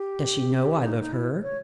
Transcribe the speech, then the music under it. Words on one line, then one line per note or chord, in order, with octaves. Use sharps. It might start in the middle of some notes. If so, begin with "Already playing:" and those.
Does she know I love her?
Already playing: G4
D#4
D#4
E4
C#5